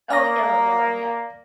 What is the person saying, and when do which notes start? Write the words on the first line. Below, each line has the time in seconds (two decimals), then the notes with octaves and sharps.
Oh, yellow, yellow, yes.
0.10 A#3 D5 F5 A#5 D#6 A#6